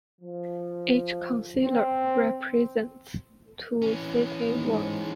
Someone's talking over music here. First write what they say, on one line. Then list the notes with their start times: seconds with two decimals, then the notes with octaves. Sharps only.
Each councillor represents two city wards.
0.21 F3
1.63 C4
3.82 E3 C#4
4.51 D#2
4.65 G#2